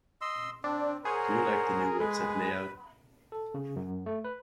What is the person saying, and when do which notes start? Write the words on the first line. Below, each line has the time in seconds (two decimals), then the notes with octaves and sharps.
Do you like the new website layout?
0.21 D#5 C6 E6
0.64 C4 D4
1.05 G#4 A#4 C5 C#5 F#5
2.00 G#3 B4
3.32 A4
3.54 C#3
3.76 F#2
4.06 A3
4.24 B4